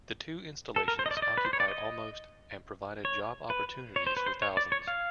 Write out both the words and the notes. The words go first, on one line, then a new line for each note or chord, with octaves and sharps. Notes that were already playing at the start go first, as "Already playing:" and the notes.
The two installations occupied almost and provided job opportunities for thousands.
A4
A#4
C5
D#5
D5
D#5
D5
B4
C5
C#5
D5
D#5
C#5
B4
C#5
C5
B4
C5
C#5
D5
C#5
F5